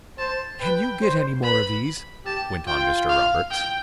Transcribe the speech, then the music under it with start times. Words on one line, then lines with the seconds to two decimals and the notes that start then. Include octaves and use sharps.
"Can you get any more of these?" went on Mr. Roberts.
0.18 C5 A5
0.60 B4 G5
1.02 C5
1.43 B4 B5
2.25 G4 A5
2.67 F4 G5
3.09 F5
3.51 G5